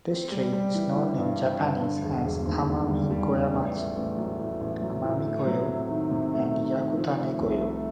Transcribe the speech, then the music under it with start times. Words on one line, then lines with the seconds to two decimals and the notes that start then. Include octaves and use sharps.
This tree is known in Japanese as "amami-goyamatsu", "amami-goyo", and "yakutane-goyo".
0.10 C4
0.32 G3
0.53 G3
0.75 E3
0.95 E3
1.18 G2
1.39 C4
1.60 G2
1.82 D3
2.03 E1
2.25 E1
2.46 D#2
2.67 D3
2.89 G3
3.11 G3
3.32 G3
3.53 A1
3.74 A3
3.96 A1
4.18 F#3
4.39 A2
4.61 A1
4.82 F#3
5.04 A2
5.26 A3
5.47 F#3
5.69 C3
5.89 D#3
6.11 C3
6.32 A3
6.54 D#3
6.75 D#3
6.97 F3
7.18 A3
7.40 C2
7.61 A3